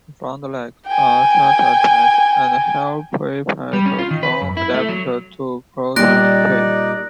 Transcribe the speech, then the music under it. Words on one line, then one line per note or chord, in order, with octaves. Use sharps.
The front legs are shortest and have preapical claws adapted to puncture prey.
G5 G#5
G3
C#4
F4
D#3
B4
F#2
E4
A3
F#3
A#2 G3 D#4 D5 F#6 A#6 D7